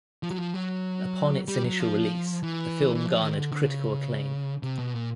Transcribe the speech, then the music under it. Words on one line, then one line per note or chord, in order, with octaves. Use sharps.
Upon its initial release, the film garnered critical acclaim.
F3
F#3
F3
F#3
G3
F#3
F3
E3
E3
F3
D#3
D3
D3
C#3
C3
B2
A#2